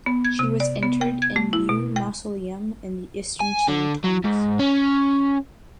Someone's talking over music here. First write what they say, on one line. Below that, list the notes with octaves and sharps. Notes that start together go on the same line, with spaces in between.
She was interred in Yu mausoleum in the Eastern Qing tombs.
B3
G#6
C3
D5
B3
G5
G#6
A3
E4
B2
G5
G#5
D3
F#3
G#2
C#4